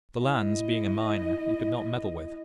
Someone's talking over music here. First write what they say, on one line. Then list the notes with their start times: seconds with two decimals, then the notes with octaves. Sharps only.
The lands, being a minor, he could not meddle with.
0.18 E4 D#5